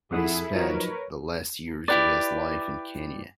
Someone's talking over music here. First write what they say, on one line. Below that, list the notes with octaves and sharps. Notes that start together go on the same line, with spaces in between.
He spent the last years of his life in Kenya.
F2 E4 G#4 A4 F#5 D#6
F3 F#3 D#4 A#4 B4 C#5
E4 G4 B4 D5